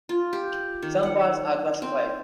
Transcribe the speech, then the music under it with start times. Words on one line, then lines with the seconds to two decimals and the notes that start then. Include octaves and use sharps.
Some parts are classified.
0.09 F4
0.33 G4
0.82 D#3
1.03 F#5
1.82 C4